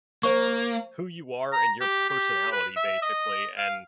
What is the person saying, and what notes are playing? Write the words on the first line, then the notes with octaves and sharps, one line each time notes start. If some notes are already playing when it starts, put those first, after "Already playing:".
who you are and your personality, basically, and
A#3 C5 C#6
A#5
G4
G4
B4
E5
D#5
F5